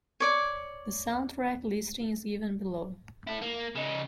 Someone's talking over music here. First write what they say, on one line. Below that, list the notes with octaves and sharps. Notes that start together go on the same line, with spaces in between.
The soundtrack listing is given below.
C#5 D5 D6
E4 A4
A#3
C#3 D#4